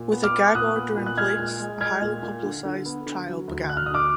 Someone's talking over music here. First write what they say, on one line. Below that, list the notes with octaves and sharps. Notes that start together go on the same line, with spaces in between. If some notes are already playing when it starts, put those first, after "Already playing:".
With a gag order in place, the highly publicized trial began.
Already playing: A#2
B3
D6 F6
B3
A#2 D#6 F#6
B3
A#2
F#6
G#3 F6 G#6
A#2
G#3
G#3 F6 G#6
A#2
A#2
D3
D3
B3
D3
F#3
D2
D2 F#6
F6
D#6
D3 D6 F6